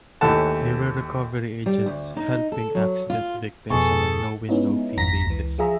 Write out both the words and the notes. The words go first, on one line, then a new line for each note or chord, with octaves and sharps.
They were recovery agents "helping" accident victims on a "no win no fee" basis.
D#2 A2 E3 A3 F#5 A5
G3
D2
D#4
A4
F#3
F4
F2 B2 G#4 A4 G#5 C#6
G#3 B3 C#4 D#4 E4
G#1 F2 A#5 A#6 B6
C#2 E3
F3 F4 G#4 E5 A#5